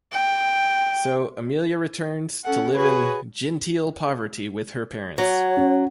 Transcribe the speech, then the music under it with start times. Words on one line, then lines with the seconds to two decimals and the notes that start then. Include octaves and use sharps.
So Amelia returns to live in genteel poverty with her parents.
0.12 G5
2.44 C#4 A4 F#5
2.74 F#4 G#4 B4 C#5
5.18 F#3 C#5
5.57 C#4